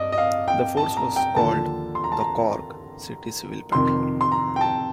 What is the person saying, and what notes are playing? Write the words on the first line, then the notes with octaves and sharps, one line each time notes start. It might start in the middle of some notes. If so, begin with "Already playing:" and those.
The force was called the Cork City Civil Patrol.
Already playing: G2 D5 D#5
D#5
F5
G5
A5
A#5
G5
D#2 D3 F3 A5
C6
A#5
A5
A#5
F2 C3 D#3 C6
C6
A#5
G5
A5